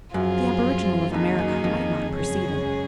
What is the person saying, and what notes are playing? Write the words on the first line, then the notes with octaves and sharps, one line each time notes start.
The aboriginal of America might not perceive it.
F#2 F3 C4 F4 G#4
F2 D#3 A#3 D#4 G#4
F#2
F2
F#2 C#3 G#3 C#4 G#4